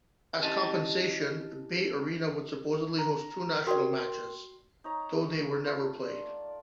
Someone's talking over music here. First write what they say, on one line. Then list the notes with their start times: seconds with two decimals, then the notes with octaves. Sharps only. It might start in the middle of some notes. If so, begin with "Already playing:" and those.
As compensation, BayArena would supposedly host two national matches, though they were never played.
0.43 C#4 E4 G4 D5 D#5 A5
2.99 A#5
3.67 F#4 A#4 D5 G5 C6
4.84 D#4 C#5 A#5
5.66 A3 F4
6.01 D5